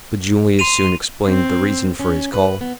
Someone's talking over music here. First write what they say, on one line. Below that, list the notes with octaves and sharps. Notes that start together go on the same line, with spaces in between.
But Julius soon explained the reason for his call.
C6 D#7 F7
C4
C#4
B4
B3